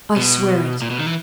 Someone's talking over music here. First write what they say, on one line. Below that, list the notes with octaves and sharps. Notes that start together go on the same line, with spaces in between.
"I swear it."
B2
A#2
B2
D#3
E3